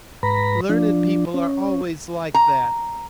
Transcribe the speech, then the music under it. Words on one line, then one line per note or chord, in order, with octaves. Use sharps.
Learned people are always like that.
G#2 B4 A#5 B5
F3 D4
C#4
A#5